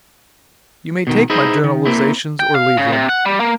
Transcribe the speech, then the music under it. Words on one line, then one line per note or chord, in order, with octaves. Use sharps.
You may take my generalizations or leave them.
B2 D#3
D#4 E4 G#4 B4 C5 D#5
D#3
A#3 C4 E4
G5
F5
C#3
C3
F#5
G3
A#3